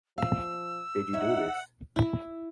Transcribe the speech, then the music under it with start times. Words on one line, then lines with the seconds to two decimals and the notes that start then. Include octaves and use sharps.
Did you do this?
0.18 F3 F5 E6
1.13 D#4 C#5 E5 F#5
1.96 E4